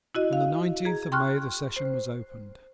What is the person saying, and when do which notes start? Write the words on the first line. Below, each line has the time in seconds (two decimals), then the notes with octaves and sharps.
On the nineteenth of May the session was opened.
0.15 E4 F#4 D#5
0.33 F5
0.85 G#4 A#5
1.12 G5 C6 C#6 F6 F#6
1.76 C5